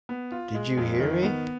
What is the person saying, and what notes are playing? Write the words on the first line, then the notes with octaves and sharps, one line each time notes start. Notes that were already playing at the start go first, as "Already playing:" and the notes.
Did you hear me?
B3
F4
G#3
F2
D#3
B3